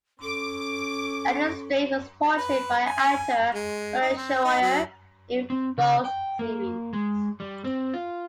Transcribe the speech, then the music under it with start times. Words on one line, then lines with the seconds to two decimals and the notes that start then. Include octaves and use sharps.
Enos Strate was portrayed by actor Sonny Shroyer in both series.
0.23 C#4 A4 D6
2.37 B4
2.85 G#5
3.54 G#3
4.01 D#4
4.17 C4
4.45 D#4
4.61 F#3
5.50 C4
5.78 C#3
6.05 G5
6.39 A#3
6.93 G#3
7.40 G3
7.64 C4
7.94 F4